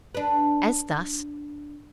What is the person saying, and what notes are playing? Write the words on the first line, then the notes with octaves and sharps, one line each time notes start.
As thus.
D4 B4